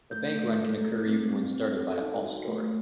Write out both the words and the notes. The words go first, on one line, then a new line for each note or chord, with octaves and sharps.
A bank run can occur even when started by a false story.
A3 G6
A3
A4
A3
C4
C4
C4
A4
D#4
F#4
A3